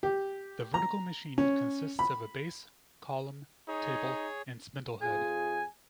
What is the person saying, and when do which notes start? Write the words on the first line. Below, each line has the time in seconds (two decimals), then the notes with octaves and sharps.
The vertical machine consists of a base, column, table, and spindle head.
0.03 G4
0.74 A#5
1.38 C#4
1.99 B5
3.68 D#4 G#4 C#5
5.02 F2 F4 G#4 G#5